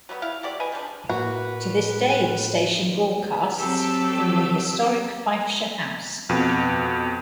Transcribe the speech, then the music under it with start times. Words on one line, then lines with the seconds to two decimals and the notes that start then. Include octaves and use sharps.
To this day the station broadcasts from the historic Fifeshire House.
0.09 F#3 G3 A#3 B3
0.22 G3 E4 F5
0.43 G#3 F#4 G4 D5
0.60 B4 D#5 G#5
0.72 F3 G3 G#3 D4
1.09 A2 A#3 F#4 B4
3.57 F#3 C4 G4 A4 E6
6.29 F2 B2